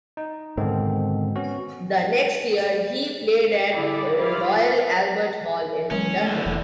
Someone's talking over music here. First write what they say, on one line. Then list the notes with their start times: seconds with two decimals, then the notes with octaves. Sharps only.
The next year, he played at Royal Albert Hall in London.
0.17 D#4
0.57 G#2 B2 D3 D#3 C4
1.36 B3 C#4 F#4
3.71 D3 G3 E4 G#4 D5
4.15 G3 E4 F4 D5 F5
5.91 E3 F#3 G#3 C#4
6.11 A3
6.26 E2 D3
6.46 F1 F2 E3